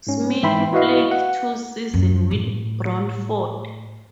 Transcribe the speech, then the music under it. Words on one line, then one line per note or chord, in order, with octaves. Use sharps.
Smith played two seasons with Brantford.
G#2 C#4
G#2 E3 E5 G5 B5 C6
E4 F#4 B4 D#5 F5
F#5
F#2
A2